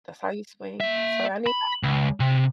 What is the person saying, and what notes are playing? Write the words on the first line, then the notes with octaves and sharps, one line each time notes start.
That's how you swing, so, I need
A#3 E5
B5
C#2
C3